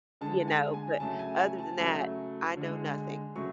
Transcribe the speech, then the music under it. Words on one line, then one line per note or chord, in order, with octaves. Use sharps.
You know? But other than that, I know nothing.
D3 G#3 A5
G#5
G#5
C#3 F#3 A3 A5
G#5
G#5
A5
C#3 F#3 A3
D3 G#3
C#3 F#3 A3 C#6